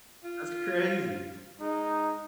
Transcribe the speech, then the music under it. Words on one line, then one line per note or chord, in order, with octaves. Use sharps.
That's crazy.
F4
G#3 D#4